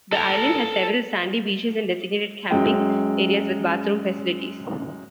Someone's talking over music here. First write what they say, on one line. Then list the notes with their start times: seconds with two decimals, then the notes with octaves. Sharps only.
The island has several sandy beaches and designated camping areas with bathroom facilities.
0.13 A4 A#5
2.51 F#2 G#3 G5